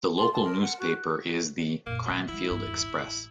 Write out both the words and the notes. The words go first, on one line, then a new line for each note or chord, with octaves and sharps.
The local newspaper is the "Cranfield Express".
C6
A5
A#4
F#5
F#4
F#2 A#2 A#3
D#3 F#3 B3
F3 G#3 E4
G2
D#2
A1